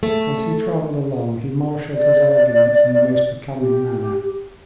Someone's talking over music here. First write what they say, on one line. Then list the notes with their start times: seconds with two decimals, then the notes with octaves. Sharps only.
As he traveled along, he marshaled his arguments in the most becoming manner.
0.03 A3
1.94 D5
3.59 G4